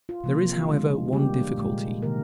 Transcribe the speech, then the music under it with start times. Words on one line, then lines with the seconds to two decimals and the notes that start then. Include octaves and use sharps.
There is, however, one difficulty.
0.09 F4
0.24 C3 F3 A#3
0.68 D3 G#3
1.13 D3 G3 A#3 G4
1.58 A#2 G#3
2.02 C3 D#3 A#3 A#4